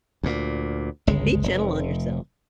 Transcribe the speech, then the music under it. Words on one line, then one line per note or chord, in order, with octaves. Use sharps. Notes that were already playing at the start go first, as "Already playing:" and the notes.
be gentle on yourself.
D2 A#2
G1 C#2 G#3
F1